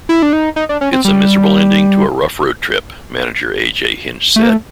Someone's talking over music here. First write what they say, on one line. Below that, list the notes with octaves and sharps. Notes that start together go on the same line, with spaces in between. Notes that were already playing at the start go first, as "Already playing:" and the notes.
"It's a miserable ending to a rough road trip", manager A. J. Hinch said.
E4
D4
D#4
D#4
D4
C#4
C4
G3
A3
A#3
A3